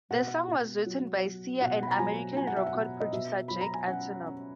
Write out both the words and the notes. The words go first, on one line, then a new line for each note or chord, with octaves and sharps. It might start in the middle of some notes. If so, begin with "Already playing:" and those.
The song was written by Sia and American record producer Jack Antonoff.
B2 F#5
B2
F#3
F#3
B2 F#5
B5
A#5
F#3 G#5
F#3 G#5
F#5
E5
F#5
B2
D#5
B2 E5
F#3 B5
A#5
G#5
C#4 F#5
C#4